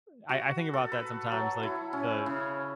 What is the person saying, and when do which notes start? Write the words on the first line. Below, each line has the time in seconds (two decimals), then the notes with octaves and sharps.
Uh, I I think about that sometimes, like, the
0.29 F#4
0.74 A4
0.92 B4
1.32 F#3
1.63 E4
1.93 C#4
2.26 C#3